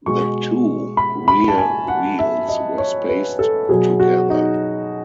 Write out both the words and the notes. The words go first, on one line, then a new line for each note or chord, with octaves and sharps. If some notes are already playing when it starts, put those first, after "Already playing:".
The two rear wheels were spaced together.
B2 G#3 C#6
B5
B5
A5
G#5
F#5
E5
D#5
C#5
B4
A4
B2 F#3 G#4
F#4
D#4